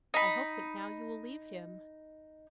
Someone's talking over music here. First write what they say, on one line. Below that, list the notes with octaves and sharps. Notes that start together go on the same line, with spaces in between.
I hope that now you will leave him.
D#4 B5